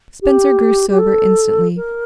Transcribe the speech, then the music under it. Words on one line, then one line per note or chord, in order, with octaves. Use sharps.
Spencer grew sober instantly.
G4
G4
A4
A#4